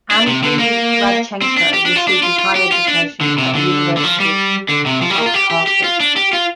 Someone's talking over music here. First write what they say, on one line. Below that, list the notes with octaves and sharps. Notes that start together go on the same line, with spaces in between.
Andriy Radchenko received his higher education at the universities of Kharkiv.
D4
C3
D3
A#3
C4
D4
G4
D4
F4
D4
F4
F4
G4
F4
D4
D3
C3
D3
D3
F3
G3
D3
C3
F3
G3
A#3
F4
G4
G4
G4
F4
D4
G4
F4